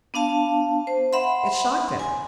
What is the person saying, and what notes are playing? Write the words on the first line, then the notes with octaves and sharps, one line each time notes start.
It shocked him.
B3 D4 F5 A5
C5
E5 F#5 B5 C6
G#5